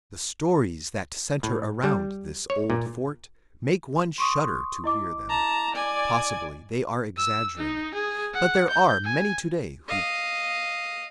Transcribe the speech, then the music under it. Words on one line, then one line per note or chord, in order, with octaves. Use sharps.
The stories that center around this old fort make one shudder to hear them. Possibly they are exaggerated, but there are many today who believe them.
A2
G3
C#5
A#2
C6 C#6 D#6
E4 D#5 D6
A5 A#5
D5 G#5
E6
D#4
G#4
F#5
G6
G#5
D#5 F5